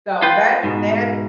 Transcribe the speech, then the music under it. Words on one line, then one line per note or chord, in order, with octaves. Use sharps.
So that that,
F4 B4 G5
G#2 B2